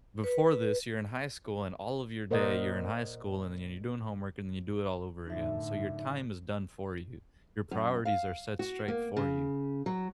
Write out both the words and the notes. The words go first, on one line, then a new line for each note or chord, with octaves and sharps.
before this you're in high school, and all of your day you're in high school, and then you're doing homework, and then you do it all over again. So your time is done for you. Your priorities are set straight for you.
B4
A#2 A#4 C5 D5 D#5 F#5
F#2 A2 D3 D#4 E5
F#2
F5
F#4
A#3
C#3
F#3